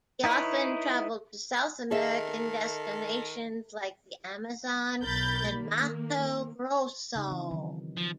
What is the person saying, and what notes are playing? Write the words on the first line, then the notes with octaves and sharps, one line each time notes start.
He often travelled to South American destinations like the Amazon and Mato Grosso.
D#4 E4 B4 C#5
D#3 G#4 A4 D#5 E5
B1 A#4 B5 G6 A6
D#3 A#3
C#3 D#4
E3 C4
D#3 F#3
F3